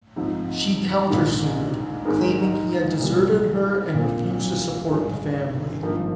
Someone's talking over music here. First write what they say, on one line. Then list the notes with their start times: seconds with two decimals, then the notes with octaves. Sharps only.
She countersued, claiming he had deserted her and refused to support the family.
0.16 G#2 F3 C4 D#4
1.10 A#1 G#2 D#3
2.05 G#2 D#3 G#3 D#4 A#4
2.99 C2 A#2 G3
3.94 A#1 A#2 F3 C4
4.88 G#1 G2 D#3 G#3 D4
5.82 G#1 G2 F3 A#3